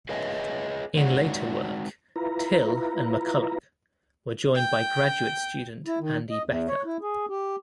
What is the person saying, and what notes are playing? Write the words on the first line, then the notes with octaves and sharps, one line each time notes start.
In later work, Till and McCulloch were joined by graduate student Andy Becker.
G#4 B4 C#5 D#5 E5 G#5
G#3 D#4 F#4 C#5 D5 F#5
E4 F4 B4 A#5
G5
E4
D#3
D#5
E2
C#5
E4
G#4
G4